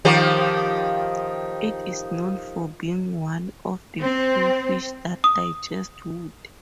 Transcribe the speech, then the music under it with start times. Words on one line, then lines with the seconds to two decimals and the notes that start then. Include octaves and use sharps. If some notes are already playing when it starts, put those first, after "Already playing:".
It is known for being one of the few fish that digest wood.
0.05 D#3 F3 G4
4.00 C4
5.24 D#6